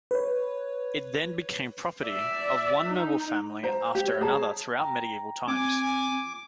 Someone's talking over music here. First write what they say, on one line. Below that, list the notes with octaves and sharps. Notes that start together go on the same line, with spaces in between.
It then became property of one noble family after another throughout medieval times.
B4 C#5
D5 E5
D#4
C5 A#5
G4
C#5
G#4 C#5 A5 A#5
G5 A#5
C4 G#5 D6